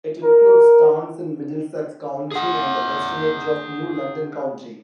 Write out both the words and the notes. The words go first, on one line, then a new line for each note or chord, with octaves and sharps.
It includes towns in Middlesex County and the western edge of New London County.
A#4
G#4 F#5